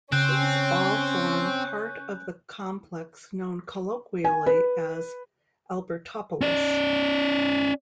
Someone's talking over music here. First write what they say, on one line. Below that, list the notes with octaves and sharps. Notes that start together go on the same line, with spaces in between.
These all form part of the complex known colloquially as Albertopolis.
C#3 C4 C#4 F#6 G6
G#5
B4
C#4 D5